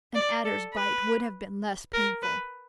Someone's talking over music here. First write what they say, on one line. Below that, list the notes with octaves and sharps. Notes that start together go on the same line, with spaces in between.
An adder's bite would have been less painful.
D5
A4
B4
A#4
B4